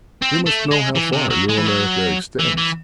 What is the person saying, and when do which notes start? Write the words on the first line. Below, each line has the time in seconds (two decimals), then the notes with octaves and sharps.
"We must know how far New America extends."
0.22 C4
0.46 A3
0.71 G#3
0.95 E3
1.13 C3
1.30 F#3
1.49 G#3
1.57 E3
1.66 F#3
2.39 E3
2.57 E3